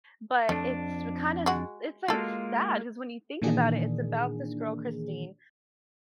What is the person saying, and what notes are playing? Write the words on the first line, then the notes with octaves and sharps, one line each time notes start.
but it's, sw kinda s it's like sad 'cause when you think about it, it's about this girl Christine
F2 A3 D4
G#3 F#4
G#3 A#3 F4 F#4 A4
A#2 D#3 E3 A#3 D4 G#4